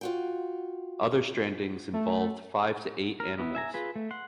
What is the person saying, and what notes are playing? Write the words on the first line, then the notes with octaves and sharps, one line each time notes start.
Other strandings involved five to eight animals.
F4 F#4 G5
A3
A#4
B3 E4
E5 G#5 A#5
F4 G#4 B4
A3
F#5 C6